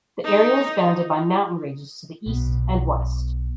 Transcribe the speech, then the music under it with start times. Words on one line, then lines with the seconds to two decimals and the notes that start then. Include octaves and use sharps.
The area is bounded by mountain ranges to the east and west.
0.24 D#4
2.26 B1 B2